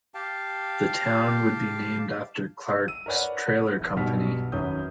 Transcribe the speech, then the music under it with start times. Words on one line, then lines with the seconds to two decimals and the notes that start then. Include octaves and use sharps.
The town would be named after Clark's trailer company.
0.14 G4 F5 G5 A5
2.88 E6 D#7
3.06 A#4 B4 C#5 D5 F#5
3.80 E1
3.97 B1 G2 B2 G3 F6 B6
4.52 G#1 F#2 C#4 B4 D#6 G6